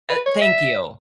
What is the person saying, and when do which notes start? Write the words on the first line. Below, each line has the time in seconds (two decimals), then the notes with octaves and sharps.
Uh, thank you.
0.10 B4
0.26 C#5
0.41 E5